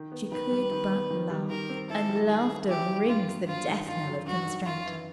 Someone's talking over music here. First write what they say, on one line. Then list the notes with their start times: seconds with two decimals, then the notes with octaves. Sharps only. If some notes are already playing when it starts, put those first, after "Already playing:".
She could but laugh; and laughter rings the death-knell of constraint.
Already playing: D#3
0.12 B3
0.31 D#3 B4
0.51 G3
0.71 D#3
0.90 B3
1.10 D#3
1.30 G3
1.50 D#3 A#4
1.69 C4
1.89 E4 A4
2.09 G3
2.29 D#3 G#4
2.49 C4
2.68 E4 G4
2.89 G3
3.07 G2 F4
3.28 F#3
3.47 G2 F4
3.67 D#3
3.87 G2 F4
4.06 F#3
4.26 G2 F#4
4.46 D#3
4.66 F#2 F4
4.86 E3